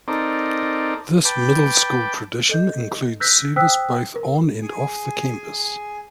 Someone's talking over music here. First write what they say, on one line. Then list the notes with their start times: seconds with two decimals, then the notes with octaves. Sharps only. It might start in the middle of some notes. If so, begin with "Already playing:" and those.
This Middle School tradition includes service both on and off the campus.
0.08 C4 D#4 A4 A#4 D5
1.25 B4 G5 A5 D6
2.49 A4 D#5 G6
3.20 E6 F#6 G6 A#6 B6
3.56 C5 G5 D#6 E6 F#6 B6
4.16 A#4
4.62 G#4 G#5